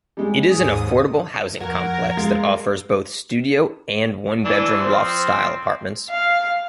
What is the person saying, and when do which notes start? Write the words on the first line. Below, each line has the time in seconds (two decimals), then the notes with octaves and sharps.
It is an affordable housing complex that offers both studio and one-bedroom loft-style apartments.
0.17 G3 G#3
0.50 D#2 G#2 G#4 D#6
1.60 F2 F#4 A#4 F#5 G#6
2.17 G#3 F4
4.45 E3 D4
4.80 F3 C4 C5
6.10 F5